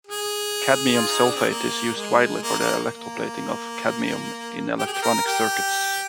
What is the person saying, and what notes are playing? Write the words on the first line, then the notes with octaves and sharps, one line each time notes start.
Cadmium sulfate is used widely for the electroplating of cadmium in electronic circuits.
G#4
F4
D#4
D4
C4
A#3
G#3
A#3
A#3
A#3
G4
G#4
G4
A#4
G4